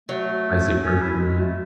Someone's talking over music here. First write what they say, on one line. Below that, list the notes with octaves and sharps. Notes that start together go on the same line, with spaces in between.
spicy person. Yeah.
F#3 A3
C#4
E4
G#3
A3